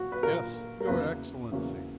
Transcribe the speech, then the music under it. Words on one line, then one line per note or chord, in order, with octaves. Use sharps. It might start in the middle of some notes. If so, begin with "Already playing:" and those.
"Yes, your Excellency."
Already playing: A#2 F#4
B4
A#2 A#3 A#4
A#4
E2 C#3 F#3 A#3 B4
E2 C#3 F#3 A#3